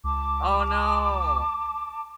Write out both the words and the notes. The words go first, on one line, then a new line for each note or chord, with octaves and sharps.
Oh, no!
C#2 A5 D6